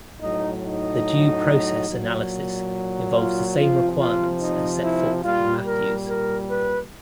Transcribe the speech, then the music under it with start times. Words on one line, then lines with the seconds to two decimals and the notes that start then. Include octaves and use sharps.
The due process analysis involves the same requirements as set forth in Matthews.
0.21 A2 F#3 D#4
0.63 D#4
1.88 A#2 F#3
3.13 F4
3.56 C3 F3 F4
3.98 F4
4.39 D#4
4.81 E4
5.23 A#2 G3 F4
5.66 A#4
6.07 A#4
6.49 B4